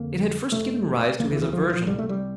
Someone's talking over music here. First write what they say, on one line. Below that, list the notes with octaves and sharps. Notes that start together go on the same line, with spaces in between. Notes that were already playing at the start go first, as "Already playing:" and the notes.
It had first given rise to his aversion.
Already playing: F1 F2 D3 A#3
F1 F2 C3 A3
E1 D2 D3 A#3
E3
E3
F3
F3
C2 C3 G3
A3
G3